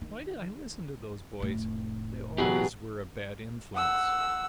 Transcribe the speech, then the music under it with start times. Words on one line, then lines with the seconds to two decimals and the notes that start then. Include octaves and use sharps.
Why did I listen to those boys? They always were a bad influence!
0.01 D#3
1.40 F1 A2
2.38 B2 E3 F#3 G4 G#4 B4
3.75 F#5 E6